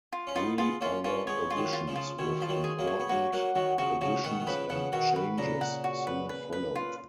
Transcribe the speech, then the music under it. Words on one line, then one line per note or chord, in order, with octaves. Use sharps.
Three other editions, with important additions and changes, soon followed.
F4
C#4
B3 D#4 F4
G#3 B3 F4
A#3 C#4 F4
A#3 C#4 F4
G#3 B3 C#5
G#3 F4
D#3 F#3
F4
C#3 F3
F4
B2 D#3 C#5
F3 F4
D#3 F#3
G#4
F#3 A#3
C#5
B3
F#3 A#3 F#4
F#3 A#3 F#5
D#3 F#3 F#4
C#3 F3 F#4
C#3 F3 F#4
B2 D#3 F#5
D#3
C#3 F3 B4
C#3 F3 F#5
B2 D#3 F#4
B4
A#2 C#3 A#5
F#5
F#4
B4
B4
B4
F4